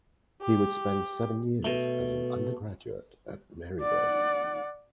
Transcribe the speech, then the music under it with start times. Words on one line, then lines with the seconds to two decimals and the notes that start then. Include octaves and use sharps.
He would spend seven years as an undergraduate at Maryville.
0.43 G4
1.64 B2 A3
3.81 D5 F#5